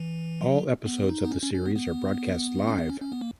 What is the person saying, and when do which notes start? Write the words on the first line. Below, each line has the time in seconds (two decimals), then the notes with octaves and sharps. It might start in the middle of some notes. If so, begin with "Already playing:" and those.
All episodes of the series are broadcast live.
Already playing: E3
0.41 F#3
0.86 B3
1.09 D#4
1.25 B3
1.31 C#4
1.42 C#4
1.54 C#4
1.66 B3
1.76 B3
2.67 C#4
2.78 B3
2.90 C#4
3.01 C#4
3.12 B3
3.21 A#3